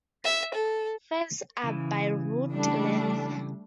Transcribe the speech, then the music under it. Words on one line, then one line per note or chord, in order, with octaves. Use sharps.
Fares are by route length.
E5
A4
C#3 E3
G3 A3 D4